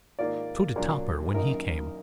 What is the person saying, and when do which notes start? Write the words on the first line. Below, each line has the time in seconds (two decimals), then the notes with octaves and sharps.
So did Topper when he came.
0.19 G#2 D#3 A#3 F4 D5
0.76 A#2 F#3 D4
1.34 F#2 D#3 A#3 D#4 A#4